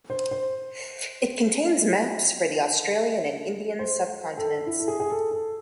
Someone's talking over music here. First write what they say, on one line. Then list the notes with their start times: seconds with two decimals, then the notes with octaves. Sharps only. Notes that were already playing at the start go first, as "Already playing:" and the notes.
It contains maps for the Australian and Indian sub-continents.
0.10 C5
0.31 C5
3.79 C5
4.38 A4
4.67 E4
4.80 A4
4.88 G#4
5.00 G#4
5.10 A4
5.31 A4